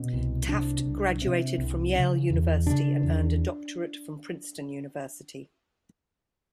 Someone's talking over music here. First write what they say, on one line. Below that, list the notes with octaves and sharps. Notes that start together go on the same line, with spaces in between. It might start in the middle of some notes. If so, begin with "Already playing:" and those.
Taft graduated from Yale University and earned a doctorate from Princeton University.
Already playing: B2 C#4
C2
C3 D4
C2
C3
C2
C#3
E2
C#3 D4
E2